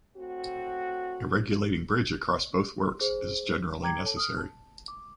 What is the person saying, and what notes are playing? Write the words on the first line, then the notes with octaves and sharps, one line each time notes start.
A regulating bridge across both works is generally necessary.
A2 C4 F#4
G#4 C5
G5 A#5 D6 G#6
A4 C#5 A5
D#6 F6
A5
D6